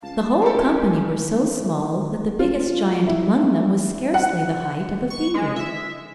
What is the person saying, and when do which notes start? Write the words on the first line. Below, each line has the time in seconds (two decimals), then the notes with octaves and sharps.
The whole company were so small, that the biggest giant among them was scarcely the height of a finger.
0.03 C#2 F5 A5
0.17 G1
0.42 F3 B3 G4 A4
0.55 C#2 G#5
2.39 F4
3.07 E4
4.14 F#5
5.10 C#6
5.34 G#3
5.56 E5